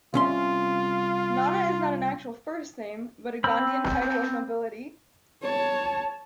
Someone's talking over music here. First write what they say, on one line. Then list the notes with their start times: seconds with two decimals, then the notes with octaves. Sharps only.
Nana is not an actual first name, but a Ghanaian title of nobility.
0.14 C2 C#4 F4 C6
3.44 C4 B5 E6
5.42 C#5 A5